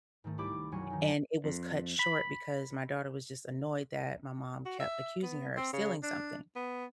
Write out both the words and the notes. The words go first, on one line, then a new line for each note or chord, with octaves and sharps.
and it was cut short because my daughter was just annoyed that my mom kept accusing her of stealing something.
G#2 D#3 A3
C2 E4 G4 D5 B5 D6
E1 F#2 F#3 G#5 C#6 G#6
D#3 D#4
F2
B5
F#4
E5
B3
C4
C#3
D4
B3